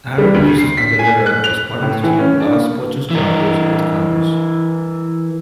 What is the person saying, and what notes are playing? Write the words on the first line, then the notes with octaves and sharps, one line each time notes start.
Aaron 'Jesus' Aguilera was part of the team Los Pochos Guapos with Kaos.
G3
D2
C7
B6
G#5
F#6
F7
A2
E3
C#4
D4
A#3
E3 A#4